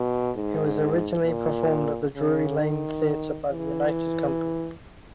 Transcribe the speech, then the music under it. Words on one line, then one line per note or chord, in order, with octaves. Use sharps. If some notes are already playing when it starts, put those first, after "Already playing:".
It was originally performed at the Drury Lane Theatre by the United Company.
Already playing: B2
G#2
A#2
C#3
D#3
E3